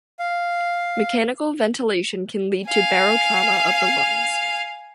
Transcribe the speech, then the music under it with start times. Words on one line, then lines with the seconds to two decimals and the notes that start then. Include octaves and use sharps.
Mechanical ventilation can lead to barotrauma of the lungs.
0.19 F5
2.69 F5 G#5